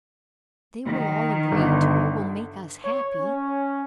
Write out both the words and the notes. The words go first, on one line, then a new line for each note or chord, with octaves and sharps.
"They will all agree to what will make us happy."
D#3
G1 D3
C#5
C#4